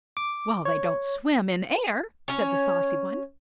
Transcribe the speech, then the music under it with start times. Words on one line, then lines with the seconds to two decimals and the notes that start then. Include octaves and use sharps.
"Well, they don't swim in air," said the saucy one.
0.17 D6
0.65 C#5
2.28 C#4 C#5